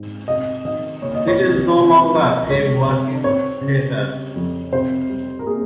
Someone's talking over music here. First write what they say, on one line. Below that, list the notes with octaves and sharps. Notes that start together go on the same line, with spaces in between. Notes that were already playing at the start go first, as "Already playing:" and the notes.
It is no longer a working theater.
Already playing: G#2 C4
C3 D#5
D#3 D#5
A#3 C#5
D#5
C#5
C3
C3
F3
G#3 C#5
C3
C4 C#5
C#3
G3
F2
C3 C5
G3
A#4
A#3 G#4